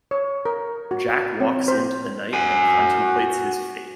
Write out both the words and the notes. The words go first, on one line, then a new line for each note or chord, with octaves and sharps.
Jack walks into the night and contemplates his fate.
C#5
A#4
F#4
C4
C5
F#4 G#5